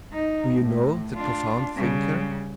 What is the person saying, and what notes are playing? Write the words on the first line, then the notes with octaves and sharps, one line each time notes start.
Do you know that profound thinker?
D#4
A2
D4 F4
C#3 G3